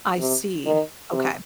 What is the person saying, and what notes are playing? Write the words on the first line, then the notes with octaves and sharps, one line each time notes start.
I see, okay.
C3
D#3
C3